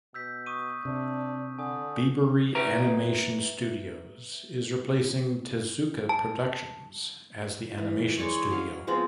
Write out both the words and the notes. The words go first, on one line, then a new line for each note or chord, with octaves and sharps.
Bibury Animation Studios is replacing Tezuka Productions as the animation studio.
B2 E6 G6 B6
C#6 D#6 D#7
C3 D4
D3 G#5 D#6
B4 E5 A#5
A5
E3
G#3 C#5 D5 C#6
F#3 F5
F3 G#3 B3 C4